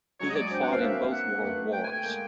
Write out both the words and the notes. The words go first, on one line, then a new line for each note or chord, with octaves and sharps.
He had fought in both World Wars.
F#3 G#3 C#5
D#5
D5
C4 D4
G5
B3 C#4 F#5
C4 D4 F5
A#3 C4 E5
F#5
A#3
A3 B3
G5
G#5
G5
G#3 A#3